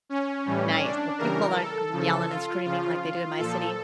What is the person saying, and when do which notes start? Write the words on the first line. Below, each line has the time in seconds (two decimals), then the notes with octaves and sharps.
Nice, so people aren't c yelling and screaming like they do in my city?
0.09 C#4
0.45 A2 E3 G3
0.83 D4
1.18 C#3 E3 G3 A#4
1.56 A4
1.92 C#3 F3
2.29 F4
2.65 C#3 F3 F4
3.38 A#2 F3 A4